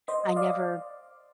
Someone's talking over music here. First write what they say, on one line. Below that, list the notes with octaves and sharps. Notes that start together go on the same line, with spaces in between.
I never
C5 D#5
D#5
D5 F5